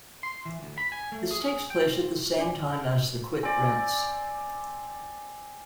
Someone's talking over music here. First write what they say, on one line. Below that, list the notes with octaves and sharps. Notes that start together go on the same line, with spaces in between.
This takes place at the same time as the Quit Rents.
C6
E3
D2
B5
G#5
A3
G#4
G#4
G5
C4
D4 D5 G#5 D6
C4 D5 G#5